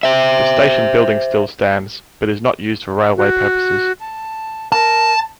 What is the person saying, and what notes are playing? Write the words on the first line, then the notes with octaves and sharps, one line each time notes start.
The station building still stands, but is not used for railway purposes.
C5 E5
F#4
A5
A#4 A5